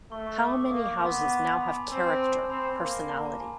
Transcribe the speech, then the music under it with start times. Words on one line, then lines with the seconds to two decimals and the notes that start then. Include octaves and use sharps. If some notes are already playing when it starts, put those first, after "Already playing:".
How many houses now have character, personality?
0.12 A3 C#6
0.27 C#6
0.42 D6
0.52 D#6
0.61 D6
0.71 A#3 D#6
0.87 D6
1.01 B3 C6
1.50 C6
1.61 B5
1.71 G#5
1.76 A5
1.90 C4 G#5
2.21 A5
2.39 C6
2.50 C4 B5
2.80 A#3
3.10 A#5
3.25 A5
3.40 G#5